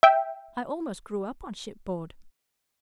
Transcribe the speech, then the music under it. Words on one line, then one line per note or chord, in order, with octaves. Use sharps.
I almost grew up on shipboard.
E5 G5